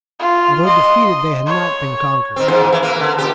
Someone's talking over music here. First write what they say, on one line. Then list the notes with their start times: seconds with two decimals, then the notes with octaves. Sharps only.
Although defeated they had not been conquered.
0.19 F4
0.66 D#5 C6
1.46 C#5
2.36 D#3 C4
2.48 E2 G#2 C5
2.69 C3 E3
2.83 E3 A#3
3.00 D3
3.18 A#2 C#3 G4